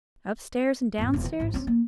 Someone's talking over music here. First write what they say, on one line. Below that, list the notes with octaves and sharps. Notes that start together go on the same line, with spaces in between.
Upstairs, and downstairs.
E2 G#2
E1
E3
A1 G#2
C4 C#4
A#3